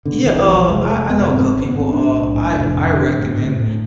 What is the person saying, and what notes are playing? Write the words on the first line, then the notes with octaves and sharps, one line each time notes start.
Yeah, uh, I I know a couple people. Uh, I I recommend
B2 D3
B1 E3
B1 F3
F1 G#3
G#3
F1 A3
F1 B3
G#2 C4
G#1
B3
G#1
C4
A2 D4
B1
A2
F1
F2
D3
A2
A2
A2